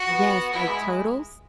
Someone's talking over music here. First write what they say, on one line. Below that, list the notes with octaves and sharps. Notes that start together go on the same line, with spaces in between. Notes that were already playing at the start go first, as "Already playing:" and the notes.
Yes, like Turtles?
Already playing: F#4
B3
B3 E4
G#3
G#3